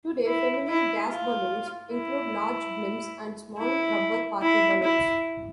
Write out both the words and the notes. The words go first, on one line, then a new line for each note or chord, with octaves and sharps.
Today, familiar gas balloons include large blimps and small rubber party balloons.
E4
E4
F4
E4
E4
E4
E4